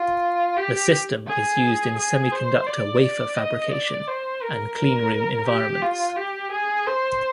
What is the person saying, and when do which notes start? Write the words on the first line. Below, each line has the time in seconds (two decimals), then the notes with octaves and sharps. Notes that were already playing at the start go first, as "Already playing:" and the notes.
The system is used in semiconductor wafer fabrication and cleanroom environments.
Already playing: F4
0.57 G4
1.27 G#4
1.97 G#4
2.32 C5
2.66 D5
3.02 D5
3.37 D#5
3.72 D5
4.07 C5
4.42 A#4
4.77 A#4
5.47 G4
5.82 F4
6.17 G4
6.52 G#4
6.87 C5